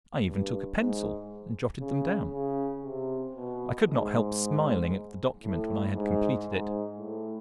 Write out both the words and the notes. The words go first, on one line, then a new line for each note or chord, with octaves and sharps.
I even took a pencil and jotted them down. I could not help smiling at the document when I had completed it.
G2
G#2
C#3
C#3
C3
B2
G#2
A2
G#2
G#2
A2